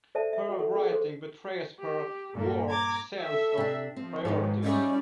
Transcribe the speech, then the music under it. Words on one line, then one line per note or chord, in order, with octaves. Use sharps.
Her writing betrays her warped sense of priorities.
A4 C5 D5 E5 A5
E5
F#4 F#5
A4
G#4 A4
A4 C5 C6
G4
G2 A#2 A#3 A4
A#5 D6 G#6
A4 E5
C3 D4
F3 C4
G#2 D#3 B4 C#5
G3 C#4 D#4 F4 D5 E5